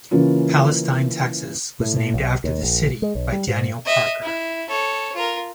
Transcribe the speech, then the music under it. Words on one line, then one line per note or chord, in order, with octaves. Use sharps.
Palestine, Texas was named after the city by Daniel Parker.
C#3 E3 A#3 C#4 F4
A2
A2
B1
D#2
A#1
G#3
B1
G3
G#2
D#5 E5
E4
A4 C#5
F4 A#4